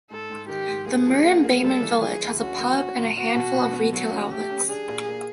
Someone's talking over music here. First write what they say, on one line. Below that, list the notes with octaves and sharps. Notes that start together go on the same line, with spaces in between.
The Murrumbateman village has a pub and a handful of retail outlets.
G#2 A4
G#2
D#3 G4
G#2
A#3 G#4
F3
A#3
A#3
G3 A4
E3
E3 G#4
D2
C#4 F#4
A#3
C#4
A#2
B3 F#4
B2
B2
B3
F#3 F#4
C#4
A3 G4
C#4
D4 G#4
A#2
A#3